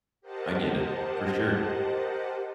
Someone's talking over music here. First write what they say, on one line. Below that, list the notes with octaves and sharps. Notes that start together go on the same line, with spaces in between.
I get it, for sure.
G4 A#4 C5 D#5 F#5 A5